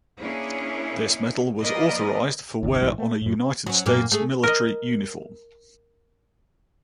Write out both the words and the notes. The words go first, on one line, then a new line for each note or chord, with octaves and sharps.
This medal was authorized for wear on a United States military uniform.
A#3 C#4 D4 E4 G#4
F3 A#3 A#4 B4 D5 D#5
D1 G1
A#1 G#2 E3 G3
A3
F#2 A2
F#3 C#4
F#2 A#2 A#3
A3 G#4
A#4 D#5